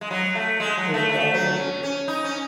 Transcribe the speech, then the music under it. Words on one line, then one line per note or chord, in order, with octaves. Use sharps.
We've got a visitor!
G#3
F#3
A3
G#3
F#3
A3
A3
F#3
C#4
C#4
D#4
C#4